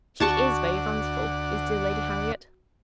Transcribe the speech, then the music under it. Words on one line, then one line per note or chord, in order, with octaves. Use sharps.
She is very fanciful, is dear Lady Harriet!
D2 F#4 D5 F#5 A5 C#6